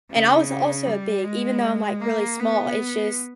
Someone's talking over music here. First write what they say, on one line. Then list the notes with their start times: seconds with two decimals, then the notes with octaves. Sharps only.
And I was also, uh, big, even though I'm, like, really small. It's just,
0.11 C#3
0.87 G3
1.24 G#3
2.01 A#3
2.39 B3